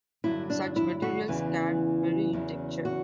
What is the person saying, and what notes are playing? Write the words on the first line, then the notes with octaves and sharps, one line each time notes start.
Such materials can vary in texture.
G2 D3 F#3 E4
D4
E4
F#4
E2 C#3 E3
E2 C#3 F#3
F#4